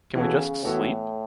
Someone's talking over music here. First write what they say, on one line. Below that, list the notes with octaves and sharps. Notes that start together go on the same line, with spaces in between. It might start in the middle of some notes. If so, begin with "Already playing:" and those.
Can we just sleep?
C#3 E3 B3 F#4 A4
A2 E3 B3 F#4 A4